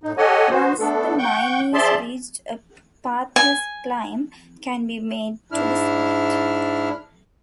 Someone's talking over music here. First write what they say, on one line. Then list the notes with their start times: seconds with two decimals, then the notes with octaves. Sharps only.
Once the mine is reached a pathless climb can be made to the summit.
0.03 A2 D#4
0.17 G4 A4 C#5 D#5 F#5 G#5
0.50 B3 F#4 C5
0.79 A3 B3 D4 A4
1.18 F#5 G5 C#6 G6
1.73 F3 G#4 D5 E5 A5 C6
3.36 G#5
5.52 G#2 D4 E4 F6